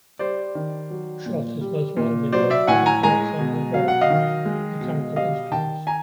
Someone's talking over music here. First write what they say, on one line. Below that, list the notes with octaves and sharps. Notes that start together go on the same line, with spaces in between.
Schott is most widely known for his works on hydraulic and mechanical instruments.
G3 C5 D5
D#3
F#3
A#2
G3
A#2
F#3 C5 D5
D5 E5
A2 F#5 G#5
G#5 A#5
G#3 G#5 A#5
B2
F#3 F5
F#5
D#5 F5
D#3
G#3
B2
G3 D#5 F5
D#3 G5 A5
G#5 A#5